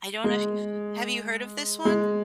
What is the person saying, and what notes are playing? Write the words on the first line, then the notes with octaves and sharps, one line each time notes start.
I don't know if you've have you heard of this one?
G#3
G#3